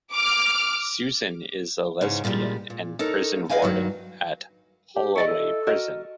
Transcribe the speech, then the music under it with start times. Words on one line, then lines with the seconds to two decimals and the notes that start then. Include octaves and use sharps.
Susan is a lesbian and prison warden at Holloway Prison.
0.13 D6 F6
2.01 G#2 C#3 C#4
2.24 A#2 D3 F3 G3 G#3
2.70 A#2
2.99 D#4 A4 A#4 C#5
3.49 B4 D#5 F5 G5 G#5
3.62 G2 D#3 F#3
4.96 G4
5.16 E4 D5 D#5 C#6
5.28 A4
5.67 F#4 A#4 D#5